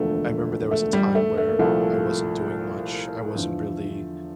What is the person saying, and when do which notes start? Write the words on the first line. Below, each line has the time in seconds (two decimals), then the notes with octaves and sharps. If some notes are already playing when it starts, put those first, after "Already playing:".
I remember there was a time where I wasn't doing much, I wasn't really
Already playing: E1 D2 D3 F3 A3
0.71 A3
0.93 G3
1.15 A3
1.38 A3
1.49 A#3
1.59 C2 A#2 F3 A3
3.36 E2 D3 F3